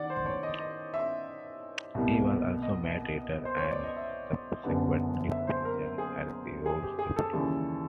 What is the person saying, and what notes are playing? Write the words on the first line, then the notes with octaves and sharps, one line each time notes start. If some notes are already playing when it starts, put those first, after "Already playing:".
He was also made Reader, and subsequently Preacher, at the Rolls Chapel.
Already playing: D#3 D5 F#5
C5
C#5
D#5
D#5
E5
C2 B2 G3 A#3
D#5
C5
C#5
D5
D#5
E5
F#1 F#2 D3 G3 B3
E5
C5
A#4
G#4
G#4
G4
G#4
A4
D#2 C#3 E3 G3